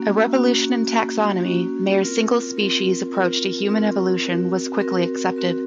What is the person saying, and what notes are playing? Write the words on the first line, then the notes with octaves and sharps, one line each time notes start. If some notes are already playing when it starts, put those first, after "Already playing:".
A "revolution in taxonomy", Mayr's single-species approach to human evolution was quickly accepted.
Already playing: A#3 C#4 F#4
A#3 C#4 F#4
A#3 C#4 F#4
A#3 C#4 F#4
C4 F4 A#4
C4 F4 A#4
C4 F4 A#4
C4 F4 A#4
C4 F#4 A#4
C4 F#4 A#4
C4 F#4 A#4